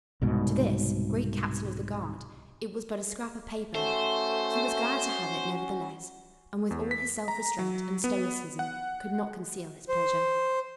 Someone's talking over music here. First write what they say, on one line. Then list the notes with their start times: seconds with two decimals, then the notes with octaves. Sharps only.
To this great Captain of the guard it was but a scrap of paper. He was glad to have it nevertheless, and, with all his self-restraint and stoicism, could not conceal his pleasure.
0.22 C2 G#2 B2
3.75 A3 C#4 F#4 C5
6.71 E2
6.91 B6
7.28 A#5
7.59 F#3
8.04 B3
8.59 F#5
9.89 C5